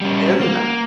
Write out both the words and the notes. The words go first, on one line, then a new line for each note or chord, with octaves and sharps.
Isn't that
G3 C#4
A#3